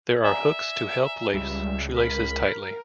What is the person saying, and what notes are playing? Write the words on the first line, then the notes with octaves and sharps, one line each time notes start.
There are hooks to help lace shoelaces tightly.
D5 E5 G#5 A#5
C#2 G3 E5
A#4 B5